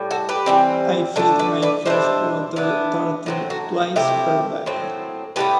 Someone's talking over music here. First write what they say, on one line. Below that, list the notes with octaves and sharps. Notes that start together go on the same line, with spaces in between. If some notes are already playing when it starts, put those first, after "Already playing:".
I feed my fresh water turtle twice per day.
Already playing: A2 G3
F#4 A4
G4 B4
E3 G3 C4
D3 A3 D4 A4 C5
B4 D5
B4 D5
B2 G3 D4 C5 E5
E3 B3 D4
A2 F#3 C4
F#4 A4
C3 E3 A3 E4 G4
A2 F#3 C4
A2 G3 B3 G4 B4